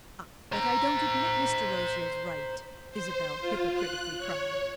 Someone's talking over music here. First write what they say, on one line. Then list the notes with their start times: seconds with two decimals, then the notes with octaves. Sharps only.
"Ah, but I don't admit Mr. Rosier's right!" Isabel hypocritically cried.
0.52 C5 A#5
2.91 C5
3.41 F4
3.74 F#6
4.18 C#5